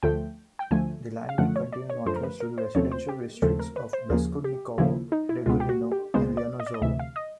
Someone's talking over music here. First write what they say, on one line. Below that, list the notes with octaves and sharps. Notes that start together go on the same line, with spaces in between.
The line will continue northwards to the residential districts of Beskudnikovo, Degunino and Lianozovo.
D2 D3 F3 A3 G5
G5
D2 D3 F3 A3 G#5
F5
F#2 D3 F3 A3 F#5
C#5
D5
C#5
F#2 D3 F3 A3 C5
A#4
B4
A#4
C5
D#2 C#3 F3 A3 C4 C#5
C5
G4
D#2 C#3 F3 A3 C4 A4
A#4
B4
C5
D#2 C#3 F3 A#3 G#4
G4
D#2 C#3 F3 A#3 E4
D#4
E4
C#2 B2 G#3 B3 F4
G4
F#4
G4
C#2 B2 G#3 B3 C5
D5
D#5
D5
D#5
D2 C3 E3 E5
F5
D#5